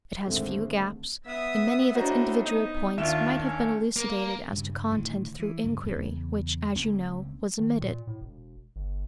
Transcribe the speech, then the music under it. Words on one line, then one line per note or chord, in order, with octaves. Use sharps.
It has few gaps, and many of its individual points might have been elucidated as to content through inquiry, which, as you know, was omitted.
D#2 G#2 D3 G#3 A3 C4
B3 E5 D#6
A2 D4 F#4 C5 D#5 A#5
B3 D#4
D#2 D#3 D4 F4 E5 E7
C#4
A#3
G2 C#3
A2 D3 D#3
E3
C#2 G2
E2 C#3
C#2 A#3 C4 C#4
D#3
A#2
A2
E1
G1